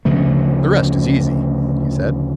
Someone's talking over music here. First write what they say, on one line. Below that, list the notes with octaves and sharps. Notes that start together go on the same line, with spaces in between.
"The rest is easy," he said.
D2 C#3 F3 A3